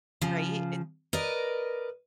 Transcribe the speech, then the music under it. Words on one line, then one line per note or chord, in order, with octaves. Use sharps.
Right, it
C#3 F3
A#4 B4 D5 D#5